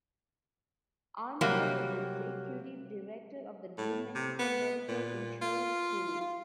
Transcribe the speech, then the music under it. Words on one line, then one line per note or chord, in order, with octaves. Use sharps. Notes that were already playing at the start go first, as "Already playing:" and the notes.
Armstrong was executive director of the New Mexico Medical Insurance Pool.
C3 F#3 G3 A#3
A2
C3
B3
A#2
F4
F4